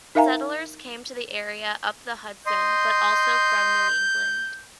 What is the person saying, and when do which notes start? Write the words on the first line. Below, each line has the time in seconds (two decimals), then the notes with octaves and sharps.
Settlers came to the area up the Hudson, but also from New England.
0.15 D#4 A#4 E5 F5 G#5 A#5
2.47 D#5 C6 G6